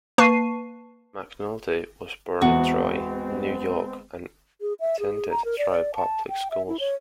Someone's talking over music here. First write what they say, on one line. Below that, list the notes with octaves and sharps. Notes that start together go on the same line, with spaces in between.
McNulty was born in Troy, New York and attended Troy public schools.
A#3 B4 A5 C#6 C7 D#7
E2 G#3 B3 C4 F#4
G#4
E5
G#4
A#5
A#4
D5
D5
A5
G5
E5
E4
C#5